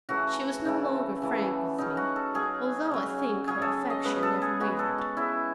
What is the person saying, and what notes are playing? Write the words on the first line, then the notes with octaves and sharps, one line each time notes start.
She was no longer frank with me, although I think her affection never wavered.
C#3 E3 A3 F#4
C#3 E3 A3
C#3 E3 A3
C#3 F#3 C#4 D#4
F#4
A4
C#3 F#3 C#4 G#4
C#3 F#3 C#4
C#3 F#3 C#4 G#4
A4
D#5
C#3 G#3 B3 B4
A4
G#4
C#3 G#3 B3 F#4
A4
F#4
C#3 G#3 B3 E4